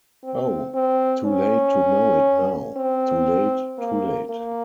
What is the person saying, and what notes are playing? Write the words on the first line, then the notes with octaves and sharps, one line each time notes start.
Oh, too late to know it now, too late, too late.
C4
C4
C#4
C4
A#3
A#3